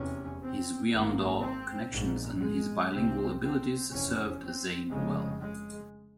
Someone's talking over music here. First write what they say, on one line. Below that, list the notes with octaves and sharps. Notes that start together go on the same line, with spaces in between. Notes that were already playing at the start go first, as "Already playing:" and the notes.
His Wyandot connections and bilingual abilities served Zane well.
Already playing: F1 E2 C3 C#4
C4
G#1 G#2 A#3
C4
A#1 G#2
G#3
C2 C3 C4
C4
F1 E2 C3 C#4
C4
F1 F2 C#3 G#3
G#3